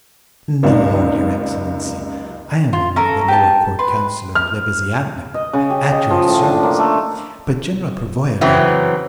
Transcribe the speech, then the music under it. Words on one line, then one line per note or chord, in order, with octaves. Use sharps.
"No, your Excellency, I am only the lower court councillor Lebeziatnikov, at your service, but General Pervoyedov...."
F#1 C#2 C3 C4 D#4 D5
F4
C#4 A4 A#4
G4 A5
B4 C6
F6
D#5
C#3
G4
D#5
F3
A2
D4
A#3
A3
C#3 E3 F#3 C4